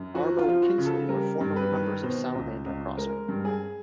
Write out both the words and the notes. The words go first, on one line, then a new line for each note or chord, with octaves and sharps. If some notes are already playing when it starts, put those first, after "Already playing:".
Arbo and Kinsey were formerly members of Salamander Crossing.
Already playing: F#2
F3 F#4
F4
F3
F#4
C#3
A4
G3 A#4
G2
B4
D#3
B2 C5
C#2
C#2
G#3 A#4
G2
G#4